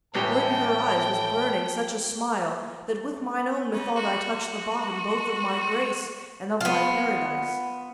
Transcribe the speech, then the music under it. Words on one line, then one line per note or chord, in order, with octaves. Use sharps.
For in her eyes was burning such a smile That with mine own methought I touched the bottom Both of my grace and of my Paradise!
C#2 A2 E3 G3 G5 A5
C#3
F#4
B3 F4